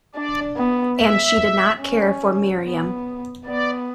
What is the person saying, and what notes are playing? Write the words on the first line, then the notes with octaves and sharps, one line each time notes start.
And she did not care for Miriam.
D4 D5
B3
E5
C#4
B3
B3 D5